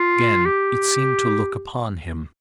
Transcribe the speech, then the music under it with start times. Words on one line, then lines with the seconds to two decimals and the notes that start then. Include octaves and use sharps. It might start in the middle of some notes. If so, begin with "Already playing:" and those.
Again it seemed to look upon him.
Already playing: F4
0.45 G4